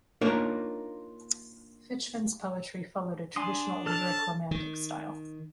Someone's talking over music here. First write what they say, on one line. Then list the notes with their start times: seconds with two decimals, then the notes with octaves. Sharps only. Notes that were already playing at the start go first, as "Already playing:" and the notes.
Fichman's poetry followed a traditional lyric Romantic style.
0.21 A#3 D4 D#4 F4 A#4 C#5
3.36 D4 G#5 C6 D#6
3.86 A4 A5 F6
4.51 D#3